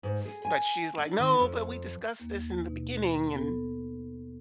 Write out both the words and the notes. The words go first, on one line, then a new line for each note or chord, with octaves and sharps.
S But she's, like, "No, but we discussed this in the beginning, and,
G#2
G#4
G#5
D4
D#3
F2
D#2 A#3
B2 D#4
B3 A4